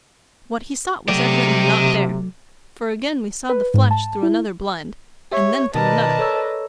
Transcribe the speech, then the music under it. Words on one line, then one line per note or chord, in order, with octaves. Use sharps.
What he sought was evidently not there, for again we saw the flash through another blind, and then through another.
C3 F#3 A3 D5 D#5 G5
B4
G#2
A5
E4
G4 C#5 E5
B2 D#3 A#4 B4 D5 D#5 A5
A4 C#5 E6